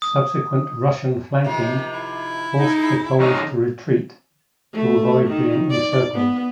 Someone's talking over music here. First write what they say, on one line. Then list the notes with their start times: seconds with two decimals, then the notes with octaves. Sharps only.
Subsequent Russian flanking forced the Poles to retreat to avoid being encircled.
0.02 D#6
1.44 C3 D#3 F3
1.94 E4
2.57 D#4
2.77 G#4
3.20 D#3 C#4 D#5 A#5
4.73 A3
5.27 D#3
5.71 D5
6.14 B3